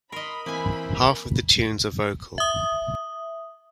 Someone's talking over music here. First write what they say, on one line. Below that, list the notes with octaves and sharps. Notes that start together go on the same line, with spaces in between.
Half of the tunes are vocal.
A#4 D#5 B5 C6
E3 A#3 C4 G#5
E5 D#6